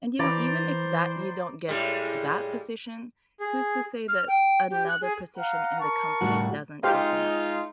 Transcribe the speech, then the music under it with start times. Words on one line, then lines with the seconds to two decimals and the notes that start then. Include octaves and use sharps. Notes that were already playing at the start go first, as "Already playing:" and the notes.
and you know, even if that you don't get that position, who's to say that another position in the company doesn't open up?
0.19 E3 C5 D5 A#5 B5
1.68 A2 G3 G#3
3.40 G#4
4.08 F6
4.28 G5
4.70 G4
4.89 F#6
5.01 G#4
5.38 F5 F#5 A#5
5.80 A#4 A5 C#6
6.21 A2 G3 F#4
6.83 G#3 D#4 F4 G4 C5 F5